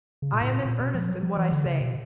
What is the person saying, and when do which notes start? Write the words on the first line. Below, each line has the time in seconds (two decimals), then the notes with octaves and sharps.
I am in earnest in what I say.
0.22 C#3
0.32 A#2
0.41 A2
0.51 A#2
0.65 A#2
0.80 B2
0.94 F3
1.09 F#3
1.23 F3
1.37 E3
1.52 D3
1.66 C#3
1.80 B2